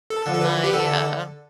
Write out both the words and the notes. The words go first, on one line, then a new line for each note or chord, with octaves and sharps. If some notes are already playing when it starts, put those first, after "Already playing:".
my, uh
A4
D3 F3
A4
B4
G4
D3 A4